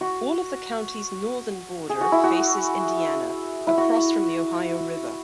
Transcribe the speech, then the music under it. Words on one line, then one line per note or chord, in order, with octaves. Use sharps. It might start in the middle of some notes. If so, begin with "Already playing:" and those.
All of the county's northern border faces Indiana, across from the Ohio River.
F#4
G#4
F#4
E4
F#4
E4
F#4